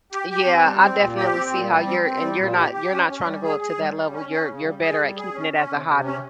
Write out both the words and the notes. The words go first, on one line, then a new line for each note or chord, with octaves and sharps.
Yeah. I definitely see how you're and you're not you're not tryna to go up to that level, you're you're better at keeping it as a hobby.
G4
G4
C4
G3
C4
A#2
G4
C4
A#2
G3
C4
C4
G3
A#2
G4
G4
C#4
C#4
G3
G#4
G#4
G3
G3
C#4
C#4
C#3
G3
G#4
G3
G#4
C#4
C#4
C3
C3
C#4